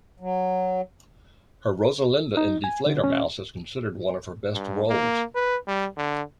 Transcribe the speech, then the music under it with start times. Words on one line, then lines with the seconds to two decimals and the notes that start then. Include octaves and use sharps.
Her Rosalinde in "Die Fledermaus" is considered one of her best roles.
0.20 F#3
2.37 D#4
2.64 G#5
2.86 D3
3.04 C#4
4.54 G2
4.89 A#3
5.35 B4
5.68 G3
5.97 D3